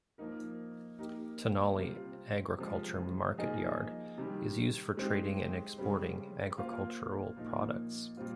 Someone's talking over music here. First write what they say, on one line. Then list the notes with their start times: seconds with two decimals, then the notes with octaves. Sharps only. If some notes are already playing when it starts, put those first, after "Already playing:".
"Tenali Agriculture Marketyard" is used for trading and exporting agricultural products.
0.18 F3 A#3 D#4 A#4
0.98 A#3 D#4 G4 A#4
1.78 C3 G3 C4 F4
2.58 C3 F3 G#3
3.38 F3 A#3 D#4 G#4 D#5
4.18 C3 D#3 G3
4.97 G#3 C4 D#4 G4
5.78 C#3 G3 C4
6.57 A#3 F4 C5 F5
7.36 A#2 F3 A#3 D#4
8.17 A#2 G3 C4 F4